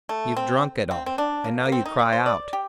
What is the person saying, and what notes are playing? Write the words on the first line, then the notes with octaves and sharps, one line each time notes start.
You've drunk it all and now you cry out.
A3
C4
C4
C4
D4
A#3
A#3
C4
D#4
D5
C5
D5
G4